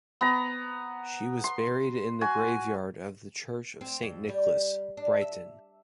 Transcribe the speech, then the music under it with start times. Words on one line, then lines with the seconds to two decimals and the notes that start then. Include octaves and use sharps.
She was buried in the graveyard of the Church of Saint Nicholas, Brighton.
0.21 B3 A#5
1.44 C6
2.21 F#4 G#5
3.81 C4
4.02 F2
4.29 G3
4.97 D4
5.21 E5